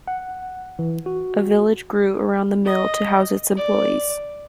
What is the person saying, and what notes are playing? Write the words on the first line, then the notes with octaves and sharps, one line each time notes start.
A village grew around the mill to house its employees.
F#5
E3
F#4
D#5
D5